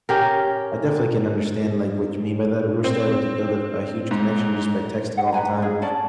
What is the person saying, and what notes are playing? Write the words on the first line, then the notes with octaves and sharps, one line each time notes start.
I definitely can understand, like, what you mean by that, we were still able to build a f a huge connection just by texting all the time.
C#4 G4 A#4
C4
G#2
F#5
D4 B4 G#5 A#5
D4 F4 G#4
C#4 D5 A5